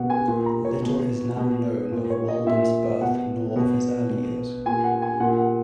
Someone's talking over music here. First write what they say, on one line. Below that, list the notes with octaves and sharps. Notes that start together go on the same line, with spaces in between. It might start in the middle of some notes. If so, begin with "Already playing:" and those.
Little is now known of Walden's birth nor of his early years.
Already playing: B2 F#5
G#5
A#2
A#5
C#5
B2
B2
A#2
C#5
D#5
A#2 E5
B2 F#5
B2
B2
A#2 G#5
F#5
G#5
A#2 F#5
F#5